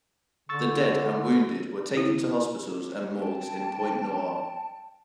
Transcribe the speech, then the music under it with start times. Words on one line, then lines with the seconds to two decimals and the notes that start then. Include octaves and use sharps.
The dead and wounded were taken to hospitals and morgues in Pointe-Noire.
0.49 D3 C#6 E6 A6
1.97 E4
3.18 G5 A5